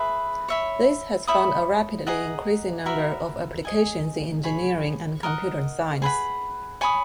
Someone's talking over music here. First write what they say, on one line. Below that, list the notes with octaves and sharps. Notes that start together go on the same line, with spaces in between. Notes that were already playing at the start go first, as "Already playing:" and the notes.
This has found a rapidly increasing number of applications in engineering and computer science.
Already playing: G#4 B4 E5
C#5 E5 B5
C#5 E5 B5 D#6
G#4 D#5 F#5 A#5
F#4 A#4 E5 B5
G#4 D#5 G#5
G#4 C#5 G#5 B5
A#4 D#5 F#5
G#4 B4 F#5 B5
C#5 G#5 B5 D#6